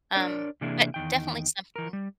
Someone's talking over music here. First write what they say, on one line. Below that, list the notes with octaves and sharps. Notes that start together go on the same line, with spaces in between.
um, but definitely something.
D4 A#4 C#5 D5
C3 E3 A#3 D4 E4 G#4
E2 D#3 G5
E3 A#4
G3